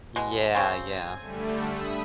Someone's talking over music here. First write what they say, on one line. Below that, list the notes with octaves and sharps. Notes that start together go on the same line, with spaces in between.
Yeah, yeah.
B2 G#3
C#3 C4
G#5
D3 G3 A3
E5 B5 D#6